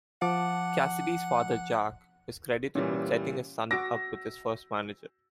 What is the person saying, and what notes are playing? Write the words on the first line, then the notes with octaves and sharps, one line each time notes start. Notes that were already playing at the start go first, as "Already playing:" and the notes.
Cassidy's father Jack is credited with setting his son up with his first manager.
F3 F#5 A5 D6
A#2 E3 G3 C#4
F#4 D6 E6 A#6